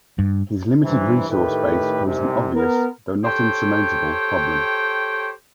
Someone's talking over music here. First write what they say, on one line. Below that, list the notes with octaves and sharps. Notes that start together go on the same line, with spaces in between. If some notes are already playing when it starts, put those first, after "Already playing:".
His limited resource base posed an obvious, though not insurmountable, problem.
G2
G2 C3 E3
A2 D#3 A3 G4 B4
C2 G#2 C3
B3 A#4
G4 A4 C5 C#5 G5